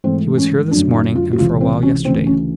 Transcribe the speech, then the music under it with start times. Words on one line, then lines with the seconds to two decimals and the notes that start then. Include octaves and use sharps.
"He was here this morning and for a while yesterday."
0.04 G#2 E3 A3 C4
0.38 C#4
0.71 F#2 D3 F#3 A3 D4
0.93 D#4
1.15 F4
1.33 F#4
1.37 C#2 C3 E3 F4
1.61 C4
1.83 C#4
2.05 D2 C#3 E3 C4
2.26 C#4